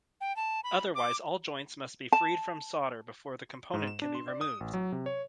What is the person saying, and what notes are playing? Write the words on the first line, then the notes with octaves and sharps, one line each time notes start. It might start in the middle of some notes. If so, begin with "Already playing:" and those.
Otherwise all joints must be freed from solder before the component can be removed.
G5
A5
B5
D6
A5
G#2
E7
D4
C6
D5
D#6
A1
F#3
C3
C#5